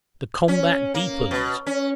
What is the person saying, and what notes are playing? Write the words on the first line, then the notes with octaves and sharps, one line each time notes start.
The combat deepens.
C#4
A#3
B2
C#4